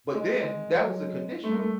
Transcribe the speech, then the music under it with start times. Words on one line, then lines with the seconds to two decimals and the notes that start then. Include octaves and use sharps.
but then that was the condition.
0.15 G#3
0.40 D3 G#3
0.54 D#3
0.67 E3
0.79 F#3
1.44 G3 A3
1.51 A#3
1.59 A3